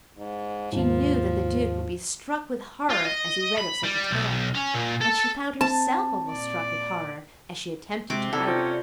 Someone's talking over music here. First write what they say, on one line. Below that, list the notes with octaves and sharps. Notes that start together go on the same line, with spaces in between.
She knew that the Duke would be struck with horror as he read of such a tale, and she found herself almost struck with horror as she attempted to write it.
G#2
D#2 G#2 F3
F4
D#5
B5
G3
B1
C#4
A#2
A4
C4 A5
A#2 D5
C3 G#3 C4 F#4 D6
C4 D#4 E4 A4 D5 F#5
C#4 F4 C5 F#5